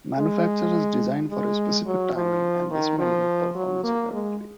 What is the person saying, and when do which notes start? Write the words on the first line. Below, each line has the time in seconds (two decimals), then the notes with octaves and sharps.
Manufacturers design for a specific timing and this may limit performance accordingly.
0.18 G#3
1.30 G#3
1.87 F#3
2.15 F3
2.71 D#3
2.99 F3
3.55 F#3
3.84 A#3
4.12 G#3